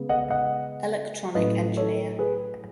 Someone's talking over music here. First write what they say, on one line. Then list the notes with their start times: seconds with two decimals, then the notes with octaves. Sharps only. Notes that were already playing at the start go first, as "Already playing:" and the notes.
Electronic engineer.
Already playing: C#3 G#3 B3
0.09 D#5 F#5
0.30 D#5 F#5
1.35 A2 F#3 A3 C#4 B4 D#5
1.77 A4 C#5
2.19 G#4 B4